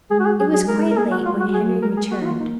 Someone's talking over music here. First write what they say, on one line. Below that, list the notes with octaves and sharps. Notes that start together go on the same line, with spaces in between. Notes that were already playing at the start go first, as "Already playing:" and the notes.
It was quite late when Henry returned.
G#3 G#4
F#4
G#4
F#3 G#4
G#4
G#3 A#4
A#4
A#3 G#4
F#4
G#3 F4
F#4
F#3 G#4
G#3 A#4
G#4
A#3 F#4
D#4
F4
D#4